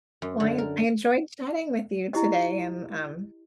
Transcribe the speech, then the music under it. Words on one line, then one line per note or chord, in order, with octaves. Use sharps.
Well, I I enjoyed chatting with you today and, um,
F#2
D3
A#4
E4 G4 D#5